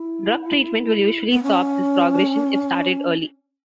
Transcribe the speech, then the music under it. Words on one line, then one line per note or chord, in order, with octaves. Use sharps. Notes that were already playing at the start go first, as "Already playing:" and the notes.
Drug treatment will usually stop this progression if started early.
Already playing: E4
B3
C#4